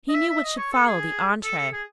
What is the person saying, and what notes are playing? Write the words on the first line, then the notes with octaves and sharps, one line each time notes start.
He knew what should follow the entree.
D#5
E5
E5
D#5
C#5
A4
G#4
A4
A4
G#4